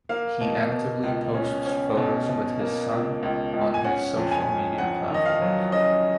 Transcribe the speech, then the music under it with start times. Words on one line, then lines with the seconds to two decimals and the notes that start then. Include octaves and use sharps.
He actively posts photos with his son on his social media platforms.
0.09 A#3 F5
0.41 B2
0.72 B2
1.04 C#2
1.34 C#4
1.66 C#4
1.97 B2
2.29 B2
2.60 A#3
2.91 C#2
3.23 C#2
3.53 C#2
3.74 G#5
3.84 C#4 F#5
4.17 F2
4.31 G#5
4.47 C#4
4.78 F2 F#5
5.10 D#3 D#5
5.25 F5
5.41 F#3
5.72 C#4 D#5